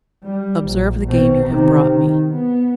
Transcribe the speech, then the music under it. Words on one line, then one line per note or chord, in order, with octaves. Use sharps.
Observe the game you have brought me!
G3
A#1
B2 C4
C3 D#3
D#3
B3